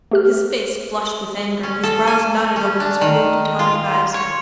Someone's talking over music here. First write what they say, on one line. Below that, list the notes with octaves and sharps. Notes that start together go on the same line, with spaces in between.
His face flushed with anger, and his brows knotted over his blue Teutonic eyes.
A3 G4 F6
C#4
A4
G#5
C#4
D4
D#3
F4
C#5